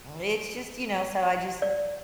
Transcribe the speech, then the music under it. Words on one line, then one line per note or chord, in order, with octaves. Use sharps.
It's just, you know, so I just
D5